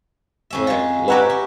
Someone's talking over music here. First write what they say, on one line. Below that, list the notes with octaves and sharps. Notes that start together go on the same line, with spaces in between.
Right, yeah.
F2 C#4 E5
G#3 F4
G4 B4 C#5 E5 F#5 A#5
C#4